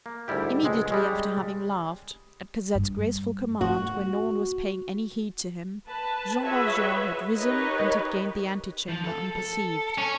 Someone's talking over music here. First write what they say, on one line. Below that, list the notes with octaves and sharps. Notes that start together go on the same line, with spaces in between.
Immediately after having laughed, at Cosette's graceful command, when no one was paying any heed to him, Jean Valjean had risen and had gained the antechamber unperceived.
A#3
D2 G#2 G3 E4 G4
C#2 G#3
G3 G#3 C#4
G2
A3 F#4
B4 A5
F4 F#4 G#4 B4 C#5 E5
D#4 G4 A#4 B4 C#5 D#5
F3
A4
A4
C#4